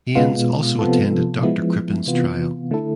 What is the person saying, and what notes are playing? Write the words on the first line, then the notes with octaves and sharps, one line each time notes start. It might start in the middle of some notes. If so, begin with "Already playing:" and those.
Haynes also attended Dr Crippen’s trial.
B2 G#3 B3 F4
C3 F3 B3 F4 A4
F3 G#3 B3 E4
C3 E3 B3 F4
D3 A3 E4 A4